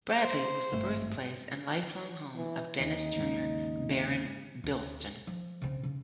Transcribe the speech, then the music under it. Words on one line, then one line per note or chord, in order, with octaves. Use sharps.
Bradley was the birthplace and lifelong home of Dennis Turner, Baron Bilston.
C5
G#1 G2 A3
E3
D#2 D#4
D#2 G#2 C#3
D2 F4
F3
C#3 C4
C#3